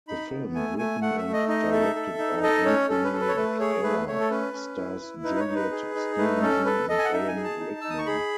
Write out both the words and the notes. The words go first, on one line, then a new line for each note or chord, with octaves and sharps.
The film, written and directed by Anthony Minghella, stars Juliet Stevenson and Alan Rickman.
D#4 B5
B3
A3 G#5
A3 G#5
A3 F#5
E5
A3
D#5
D#4 D#5
A4 E5
A4
D#4
A4 D#5
C#4 C#5
C#4 A4
B4
A4
B4
C#5
A3 B4
G#4 C#5
A3 B4
A3 C#5
A4
C#4 B4
C#4
E4
E4
D#4 B4
B4
C#5
D#4
B4
G#4
D#4
A3 B4
C#4 A4
A4 B4
A4 D#5
G#5
F#5
D#4 E5
G#5
G#4
A5
D#4
D#4 E6
D#6
C#6
G#4 B5